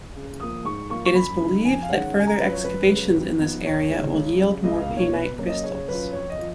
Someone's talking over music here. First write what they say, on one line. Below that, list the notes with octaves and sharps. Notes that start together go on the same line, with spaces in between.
It is believed that further excavations in this area will yield more painite crystals.
C#3
F3 A#3 D#6
G#2 C#6
F3 A#3 F4 C#6
C#6
F#2 B5
C#3 G#3 D#4
F2 G#5
F5
D#3 G#3 C#4 F#5
C#3
G#5
A#5
F#3 C#4 F4 B4
C#5
F#2 B4
C#3 F#3
F2
F3 B3 D#4
D#2 C#5
D#3 G#3 D#4
C#2
C#3 F#3
C#2 D#5
F5
B2 A#3 D#4
C#5
B2 B4
F#3 A#3 C#4
D#5
C#3 C#5
F#3 C#4 F4 B4
F2 C#5
D#5
F3